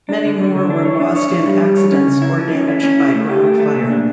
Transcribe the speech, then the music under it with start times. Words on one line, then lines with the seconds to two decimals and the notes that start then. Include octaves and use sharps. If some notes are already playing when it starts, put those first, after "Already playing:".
Many more were lost in accidents or damaged by ground fire.
0.09 D4
0.25 D3
0.39 D3
0.55 D3
0.70 D4
0.85 C#5
1.00 D4
1.16 C#5
1.31 D4
1.46 G3
1.61 G3
1.77 C#5
1.92 C#4
2.07 C#3
2.22 E4
2.38 F3
2.53 C#4
2.68 E4
2.83 C#4
2.99 E4
3.14 A3
3.29 G4
3.44 A3
3.60 A3
3.74 A#2
3.90 D4